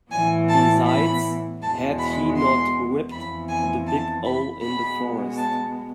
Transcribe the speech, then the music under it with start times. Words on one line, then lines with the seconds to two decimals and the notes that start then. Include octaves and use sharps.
Besides, had he not whipped the big owl in the forest.
0.11 A2 E3 B3 G#5
0.49 A5
0.86 B5
1.62 E2 B2 G#3 B3 A5
1.99 B5
2.36 C6
3.11 F2 E3 B3 B5
3.48 G#5
3.87 A5
4.25 B5
4.61 B2 G#3 B3 B5
5.37 A5